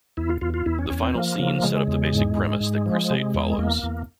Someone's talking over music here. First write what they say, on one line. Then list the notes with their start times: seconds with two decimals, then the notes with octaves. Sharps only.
The final scenes set up the basic premise that "Crusade" follows.
0.17 E2 E4
0.29 F4
0.41 E2 F4
0.54 F4
0.66 E2 E4
0.78 C#4
0.90 E2 C#4
1.03 C4
1.15 F3 A#3
1.39 C#3 A#3
1.63 C#3 G#3
1.87 E2
2.13 G#2
2.37 G#2
2.60 G#2
2.86 F3
3.10 C3
3.34 E2
3.58 E2 A#3
3.83 E2